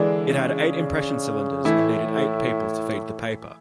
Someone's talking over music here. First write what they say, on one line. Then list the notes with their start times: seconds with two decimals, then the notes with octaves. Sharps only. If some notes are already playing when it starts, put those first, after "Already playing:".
It had eight impression cylinders and needed eight people to feed the paper.
Already playing: D3 E3 G#3 D4
0.27 C#3
1.65 A2 E3 A3 E4